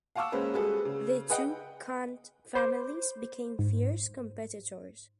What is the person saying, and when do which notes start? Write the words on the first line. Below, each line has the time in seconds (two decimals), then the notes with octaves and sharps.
The two Cant families became fierce competitors.
0.15 F5 F#5 A5 C#6 D6 E6
0.32 G#3 A#3 C#4 B4 C5
0.53 G3 G#3 F#4 G#4 A4 B4
0.85 C#3
1.29 G#4 B4 D#5 F#5 G5
2.55 C5 B5 D6 G6
3.59 G#2